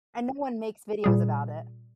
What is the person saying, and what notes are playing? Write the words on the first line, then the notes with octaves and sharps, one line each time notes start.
And no one makes videos about it.
A#2 G3 G#4